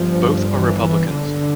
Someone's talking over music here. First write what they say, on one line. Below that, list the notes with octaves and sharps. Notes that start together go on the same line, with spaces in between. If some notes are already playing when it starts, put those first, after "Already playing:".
Both are Republicans.
Already playing: G1 G2 F3
E3
D3